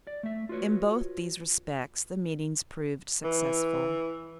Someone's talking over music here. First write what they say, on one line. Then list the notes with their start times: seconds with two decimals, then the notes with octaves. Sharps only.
In both these respects the meetings proved successful.
0.07 D5
0.23 A3 E5
0.49 F4 F#4 B4 C#5
3.24 E3